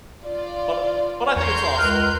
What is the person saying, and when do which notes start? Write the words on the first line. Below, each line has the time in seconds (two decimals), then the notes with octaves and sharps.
But but I think it's awesome.
0.23 F4 D5
1.36 E2 A#4 C#5 C6 G6
1.77 C#2 B4 F6